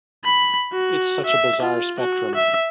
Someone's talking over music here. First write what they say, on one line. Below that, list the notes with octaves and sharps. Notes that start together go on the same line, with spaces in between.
It's such a bizarre spectrum.
B5
F#4
E5
F4
F#4
E5